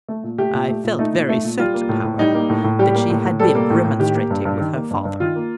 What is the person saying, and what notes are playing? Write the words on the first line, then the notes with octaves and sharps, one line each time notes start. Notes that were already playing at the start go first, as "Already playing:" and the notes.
I felt very certain, however, that she had been remonstrating with her father.
A3
A#2
A3 G4
A#2
A3
A#2
A3 D#4
A#2
A3
A#2
G3 F4
A#3
A2
A2
G3 D#4
A#3
A2
A2
G3 G4
A#3
A2
A2
G3 A4
A#3
A2
A2
D#3 G4
A#3
G2
G2
D#3
A#3
G2
G2
D#3 F4
A#3